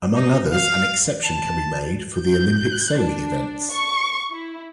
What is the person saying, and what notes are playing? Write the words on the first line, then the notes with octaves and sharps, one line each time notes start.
Among others, an exception can be made for the Olympic sailing events.
D#4
F5
A5
G6
D4
C#6
E4